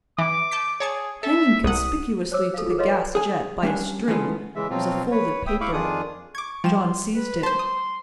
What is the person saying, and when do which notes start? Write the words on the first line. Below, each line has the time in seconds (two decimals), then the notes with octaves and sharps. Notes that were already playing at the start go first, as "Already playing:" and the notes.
Hanging conspicuously to the gas jet by a string was a folded paper. John seized it.
0.18 E3 D6
0.51 A5 G6 B6
0.80 G#4 C#5 A5 G#6
1.23 A4 E5
1.64 C2 F#5 D#6
2.32 C5 C#5 D6 E6
2.54 A4 F5
2.66 F4 G#4
2.78 B4 C#5 D#5 F5 C6
2.91 B4 D5 G5 G#5
3.15 G#4 G#5
3.63 G3 C#4 D4
4.08 E3 G#3 A3 B3 F4
4.56 C#3 E3 G#3 E5
4.70 B2 F3 F#3 C4 F4
5.11 B4 C#5
5.47 E5 G5 D#6
5.61 E4 E5 F5 B5 C#6 D6
5.73 F2 D#3 D4 F4 G#4 D#6
6.35 C#6 D6 G#6
6.64 F3 G3 F4 G5 E7
7.14 B4
7.43 C5 A5 C6
7.59 D#6